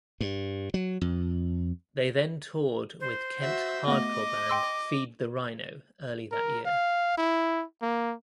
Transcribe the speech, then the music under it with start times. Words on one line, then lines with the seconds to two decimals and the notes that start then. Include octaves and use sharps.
They then toured with Kent hardcore band Feed the Rhino early that year.
0.21 G2
0.74 F#3
1.01 F2
3.00 C5
3.39 F#4 E5
3.88 A3 B3 D#5 D6
4.49 G5 C6 E6
6.31 A#4
6.65 F5
7.18 E4
7.82 A#3